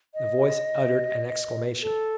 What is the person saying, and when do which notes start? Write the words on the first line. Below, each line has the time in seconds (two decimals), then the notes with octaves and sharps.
The voice uttered an exclamation.
0.14 D#5
1.82 A4